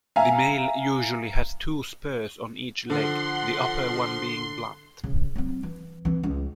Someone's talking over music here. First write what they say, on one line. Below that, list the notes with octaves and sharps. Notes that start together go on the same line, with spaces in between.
The male usually has two spurs on each leg, the upper one being blunt.
E5 F5 G#5 A#5
D3 F3 F#5 C6
C#3
F#3 C4
E3
E3 C4
C#2